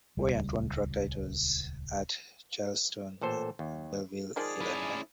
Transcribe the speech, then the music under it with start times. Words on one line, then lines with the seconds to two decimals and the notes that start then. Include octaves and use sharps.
Weyant won track titles at Charleston and Belleville, Illinois.
0.17 D#1 C#2 G3
3.21 A1 A#2 A4 C5
3.59 D#2
4.36 D#3 F3 G#3 G#4 D5
4.60 C#4 E4